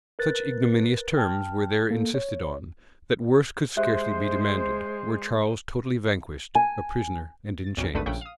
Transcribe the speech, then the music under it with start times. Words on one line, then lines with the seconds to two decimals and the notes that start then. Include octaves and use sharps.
Such ignominious terms were there insisted on, that worse could scarcely be demanded, were Charles totally vanquished, a prisoner, and in chains.
0.19 A#4 B4 F#6 A6
1.17 G5 A5 F6
1.91 A#3 A4
2.14 C#5
3.77 G#3 G4 C5 E5 F#6
6.55 G#5
7.64 A6
7.77 B1 F2 C#3
7.94 G#1 D2 G2 A3 B4 D#6
8.06 A#1 C#3 A3 F#5 G5
8.21 F5 D#6